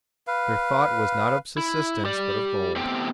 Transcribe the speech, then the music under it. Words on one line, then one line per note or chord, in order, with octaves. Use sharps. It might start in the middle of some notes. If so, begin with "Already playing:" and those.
Their thought was not of subsistence, but of gold.
B4 F5
E4
G4 D5
A2 B3 C4 G4 G5